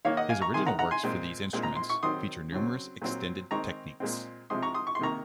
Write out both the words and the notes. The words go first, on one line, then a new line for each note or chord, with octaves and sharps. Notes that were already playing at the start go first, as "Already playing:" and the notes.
His original works for these instruments feature numerous extended techniques.
D#3 A#3 C#5 F5
D#5 F#5
F5 G#5
A#5 C#6
C3 D#3 G#3 G#5 C6
F#5 A#5
F#5 A#5
G#5 C6
A#2 G#3 C4
A#2 G#3 C4
A#5
C6
C#6
D#3 F#3 C4 C6 D#6
C#3 F#3 C4
A#2 F#3 C4
D#3 G#3 C4 A#5 C#6
A#2 G#3 C4
C3 F3 G#3 C4 C6 D#6
A#5 C#6
C6 D#6
C#6
C6
C3 D#3 A#3 A#5 C#6